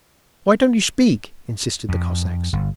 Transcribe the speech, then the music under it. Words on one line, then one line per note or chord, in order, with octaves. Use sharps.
Why don't you speak?' insisted the Cossacks.
F2
G1